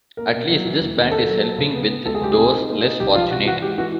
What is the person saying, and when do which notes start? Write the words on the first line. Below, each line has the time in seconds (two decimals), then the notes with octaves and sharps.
At least this band is helping with those less fortunate.
0.17 A#3 A#4
0.34 B2
0.49 F#3
0.65 E3
0.80 D#2
0.96 D#2
1.12 A#3 A4
1.27 F#3
1.43 A#3
1.58 C#3
1.75 B3
1.90 B3
2.05 C#2 A4
2.15 G#4
2.21 C#2 G4
2.32 G#4
2.37 C4
2.53 D#4
2.69 A#3
2.84 D#4
3.00 C2 G4
3.15 F3 F4
3.31 C3 F#4
3.46 E3 F#4
3.62 G#3 G4
3.78 E3 F#4